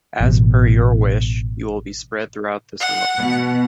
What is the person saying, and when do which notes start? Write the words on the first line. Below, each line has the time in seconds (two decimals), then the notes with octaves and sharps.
As per your wish, you will be spread throughout this world.
0.20 A1 B2
2.80 F#5
3.17 B2